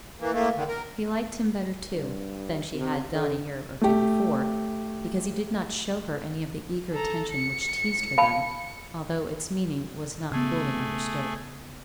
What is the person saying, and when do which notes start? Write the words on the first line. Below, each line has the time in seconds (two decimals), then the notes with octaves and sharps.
She liked him better, too, than she had done a year or two before, because he did not show her any of the eager attention which teased her then, although its meaning was not fully understood.
0.20 E3 A#3
0.33 A2 A3 A#3
0.56 D3 D#3
0.68 A#4
1.94 G2
2.74 C3
3.14 D3
3.81 A3 G4
6.93 A4 A#5
7.31 C#7
8.18 F5 A5 B5
10.32 C#3 A3 B3 G#4